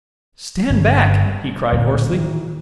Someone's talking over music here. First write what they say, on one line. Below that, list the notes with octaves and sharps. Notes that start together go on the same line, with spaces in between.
"Stand back!" he cried, hoarsely.
G1 C#3
G3
D1 A#2 A#3
D#3 E3